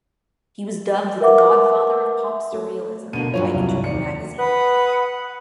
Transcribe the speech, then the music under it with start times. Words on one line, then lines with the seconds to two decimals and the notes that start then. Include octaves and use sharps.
He was dubbed "the god-father of pop surrealism" by "Interview Magazine".
1.20 A#4 B4 E5 F#5 D6
2.52 A3
3.13 B2 D3 A#3 D#7
3.34 G2 F#3 F4 C#5
3.53 C2
3.84 D#2 D5 C#7
4.39 B4 F#5 B5 D#6